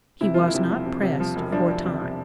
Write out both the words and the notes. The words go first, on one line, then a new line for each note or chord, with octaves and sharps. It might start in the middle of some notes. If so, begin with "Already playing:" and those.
He was not pressed for time.
C3 E4
E1 F4
E4
C3
F3
C3
C3
F3
E1
F3 D4
F3
C3
C3